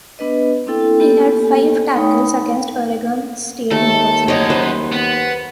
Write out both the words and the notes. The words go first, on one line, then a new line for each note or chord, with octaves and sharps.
He had five tackles against Oregon State University.
B3 D4 B4 D#5
A#3 C4 D4 E4 A4 G5
A#3 B3 G4 A4
A3 D#4 C#5 G5 B5 D#6
D#2 A3 A4
F#2 C#5 D#5
B4 C5
B3